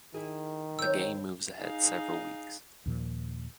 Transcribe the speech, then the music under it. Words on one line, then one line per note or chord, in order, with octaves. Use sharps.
The game moves ahead several weeks.
D#3 E4 G#4
C4 C#5 E6 G6
D#4 G#4 F5
D#2 A#2 F3